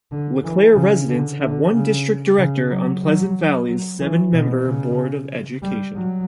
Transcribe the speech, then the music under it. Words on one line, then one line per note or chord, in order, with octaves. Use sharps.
LeClaire residents have one district director on Pleasant Valley's seven-member board of education.
D3
E3
C#3
D3
D3
C#3
C#3
F#3
F#3
F#3
E3
B2
C#3
G3
F#3